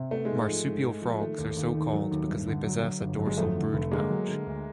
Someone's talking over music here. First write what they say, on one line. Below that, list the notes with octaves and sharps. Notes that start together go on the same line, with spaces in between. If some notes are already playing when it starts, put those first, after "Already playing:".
Marsupial frogs are so-called because they possess a dorsal brood pouch.
Already playing: C3
A3 B3
G#3
G#2
F3
G#2
G#3
F3
D#3 A3
D#2
D#2
D#3
F#3
D#2
G2
D3
F#3
F#3
G1
F#3
G#3
F2 A3
D3
F1
D3 G#3 A#3
F#3
D3
D2